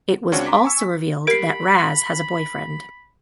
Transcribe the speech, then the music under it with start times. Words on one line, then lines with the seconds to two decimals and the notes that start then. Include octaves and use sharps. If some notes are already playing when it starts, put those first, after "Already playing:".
It was also revealed that Raz has a boyfriend.
0.32 C#2 C4 D4 F#4 C#5
0.46 A#5 C6 D6 B6
0.65 G#5 C#6 E6
0.81 B6
1.27 G4 A#4 B5 C7 D7